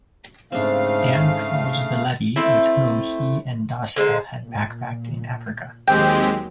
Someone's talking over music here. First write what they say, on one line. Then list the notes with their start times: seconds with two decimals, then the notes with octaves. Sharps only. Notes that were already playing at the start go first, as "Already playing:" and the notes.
Dan calls Villetti, with whom he and Dassa had backpacked in Africa.
0.52 G#2 C#3 A3 C4 D4 F5
2.36 A3 C4 E4
3.96 D3 G#3 D#4 C5
4.43 A#2
5.87 D#2 D#3 F#3 G#3 C4 G4 G5